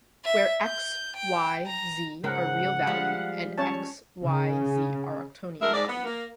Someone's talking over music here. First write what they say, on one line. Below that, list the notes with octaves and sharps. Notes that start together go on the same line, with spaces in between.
Where "x", "y", "z" are real valued and "X", "Y", "Z" are octonion valued.
E5
G6
G5
A#5
C#2 G#2 G#3 A#4 C5 F#5
F3 G3 G#3 F5
C#4 C#5 A5
C#3
D2 G#3 A#4 E5
G#2 D5
B3
A#3